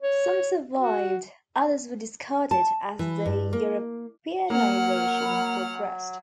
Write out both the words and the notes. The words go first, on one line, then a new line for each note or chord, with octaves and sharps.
Some survived, others were discarded as the Europeanization progressed.
C#5
F#4
A5
E3
G2
A#3
F#3 A#3 F#5 F6